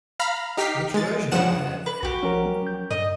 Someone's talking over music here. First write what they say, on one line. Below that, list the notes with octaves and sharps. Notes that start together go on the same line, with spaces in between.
Which version do you have?
F5 A#5 B5 F6
D#4 G4 F6 B6 C7
G#3 A6
G2 C#3 F3 F#5 E7
B4
B1 F#4 G4
F3 C#4 A#4
F#3
G6
G2 D#5